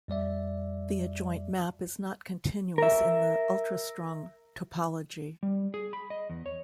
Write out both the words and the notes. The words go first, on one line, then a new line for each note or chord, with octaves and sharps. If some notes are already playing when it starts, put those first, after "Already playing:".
The adjoint map is not continuous in the ultrastrong topology.
F2 G3 D5 E5
A#4 E5
G3
G#4
B5
D#5
E2
C#5